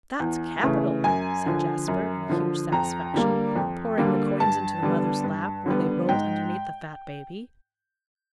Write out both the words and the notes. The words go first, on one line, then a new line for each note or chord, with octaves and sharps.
"That's capital," said Jasper, in huge satisfaction, pouring the coins into the mother's lap, where they rolled underneath the fat baby.
E2
C#3 E3 A3
F#2 G#5
D3 F3
F#2
D3 F3
F2 A#5
D3 G3 A#3
F2
D3 G3 A#3
G2 A5
D3 G3 B3
G2
D3 G3 B3
G#2 G5